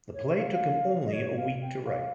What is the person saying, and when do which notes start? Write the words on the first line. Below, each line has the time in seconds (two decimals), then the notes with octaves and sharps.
The play took him only a week to write.
0.14 C#5
0.27 A#4
0.39 F5
0.51 F5
1.06 D#5
1.13 C#5
1.37 F5
1.62 G5
1.85 F5